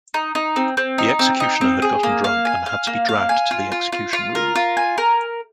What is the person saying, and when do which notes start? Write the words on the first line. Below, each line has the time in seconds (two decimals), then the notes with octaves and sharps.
The executioner had gotten drunk and had to be dragged to the execution room.
0.14 D#4
0.35 D#4
0.56 C4
0.77 C4
0.98 D#4
1.19 C4
1.40 D#4
1.61 C4
1.82 G#4
2.03 A#3
2.24 F5
2.45 G#5
2.66 F5
2.87 A#3
3.09 F5
3.29 G#5
3.51 F4
3.72 F4
3.92 F4
4.13 F4
4.35 A#4
4.56 F4
4.77 G#5
4.98 A#4